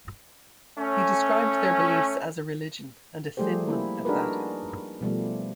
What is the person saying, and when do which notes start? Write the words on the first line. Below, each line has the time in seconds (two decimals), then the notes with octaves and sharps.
He described their beliefs as a religion and a thin one at that.
0.77 A3 C#4
3.37 F3 G3 A3 G4 G#4 C5
3.67 A#3 E4
4.05 D4 D#4 F#4 G#4 A#4 B4
5.01 B2 F3 G3 A3